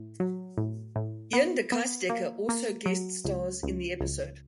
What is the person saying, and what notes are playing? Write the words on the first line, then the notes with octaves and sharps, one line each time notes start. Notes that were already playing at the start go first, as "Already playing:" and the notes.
Iain De Caestecker also guest stars in the episode.
Already playing: A2
F#3
A2
A2
B3
B3
A#3
A#3
F#3
C#2
C#2
C#2